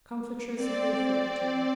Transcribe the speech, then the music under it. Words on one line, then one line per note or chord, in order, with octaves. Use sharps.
Comfortress of the afflicted.
C4 D5